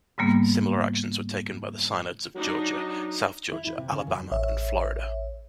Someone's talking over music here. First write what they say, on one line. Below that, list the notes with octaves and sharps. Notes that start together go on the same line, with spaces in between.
Similar actions were taken by the synods of Georgia, South Georgia, Alabama, and Florida.
G#2 C#3 G3 A#3 B3
F#3 D4 D#4
E4
E4
C3
C#3
F#2
A1 C#5 E5